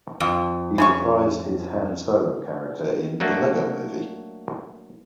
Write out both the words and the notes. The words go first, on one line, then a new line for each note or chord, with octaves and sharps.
He reprised his Han Solo character in "The Lego Movie".
F2
C#3 C#4 C#6
F#3 A3 A#3 D4